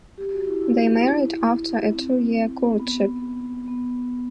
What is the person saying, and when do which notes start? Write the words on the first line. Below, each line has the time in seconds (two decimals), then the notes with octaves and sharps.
They married after a two-year courtship.
0.18 G4
0.33 F#4
0.47 E4
0.62 E4
0.83 E4
1.06 E4
1.93 C4
2.80 B3
3.68 B3